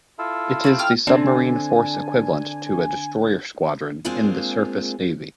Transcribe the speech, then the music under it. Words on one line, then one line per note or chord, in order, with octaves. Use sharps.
It is the submarine force equivalent to a destroyer squadron in the surface Navy.
E4 F4 A4
C4 F#4
G5 D6 F6
D3 C4 D4 A4 G#5
G#3 A#3 C4 D4 F4 G#4